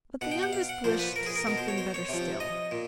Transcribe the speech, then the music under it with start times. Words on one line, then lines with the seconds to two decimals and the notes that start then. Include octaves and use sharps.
But the youngest wished something better still.
0.21 B2 F#5
0.31 G5
0.43 F#5
0.53 F5
0.69 F#5
0.84 A#2 F3 C5
0.99 B4
1.16 A#4
1.26 G#4
1.36 A#4
1.47 B2 A#4
1.57 C5
1.68 C#5
1.78 C5
1.94 C#5
2.09 C3 F3
2.40 D#5
2.71 A#2